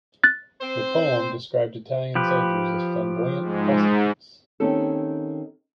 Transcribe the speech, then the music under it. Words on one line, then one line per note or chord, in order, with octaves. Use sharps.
The poem described Italian soldiers as flamboyant prostitutes.
F#6 A6
C4 C5
F3 G4 B4
G#2
D#3 A#3 C4 C#4 G4 A4